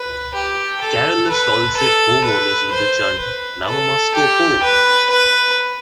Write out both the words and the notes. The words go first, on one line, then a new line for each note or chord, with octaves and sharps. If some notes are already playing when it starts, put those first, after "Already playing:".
Carollers solicit homeowners with the chant Namamasko po!
Already playing: B4
G4
A4
B4
A4
B4
C5
B4
A4
G4
B4
B4